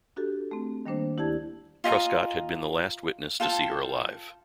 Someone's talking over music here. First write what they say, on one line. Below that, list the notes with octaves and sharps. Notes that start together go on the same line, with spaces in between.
Truscott had been the last witness to see her alive.
D4 F#4 G4 A4
A3 C4
D#3 G3 A#3 D4 C5
D2 E4 G4 D5 A5 G#6
F4 D#5 G#5 A#5
F4 A4 G5 A5